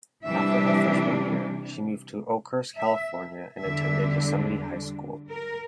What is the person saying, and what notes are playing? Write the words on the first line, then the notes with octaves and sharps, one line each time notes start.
After her freshman year, she moved to Oakhurst, California and attended Yosemite High School.
C3 E3 G3 D4 E5
E5
E2 D3 G3 D4 E5
A#4